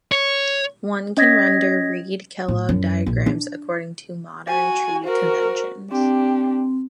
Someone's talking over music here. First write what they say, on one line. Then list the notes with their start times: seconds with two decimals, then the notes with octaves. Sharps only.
One can render Reed-Kellogg diagrams according to modern tree conventions.
0.12 C#5
1.17 C#4 D#5 G#6 A#6 B6
2.48 A2
2.69 F#2
3.06 A#1
3.26 D4
4.47 F#4 G#5
5.04 F#4 A#4 C5
5.91 C4 D4 G4